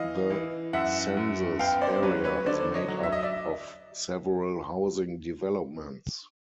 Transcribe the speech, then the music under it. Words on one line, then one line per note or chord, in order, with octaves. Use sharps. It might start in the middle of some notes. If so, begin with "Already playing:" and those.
The census area is made up of several housing developments.
Already playing: E3 D#5 F5
E3
F#2 E5 F#5
F#2
B3 F5 G5
C5 D5
F#3 B4 C#5
B4 C#5
D3 C5 D5
C#5 D#5
F#3
E5
D#5
D5 E5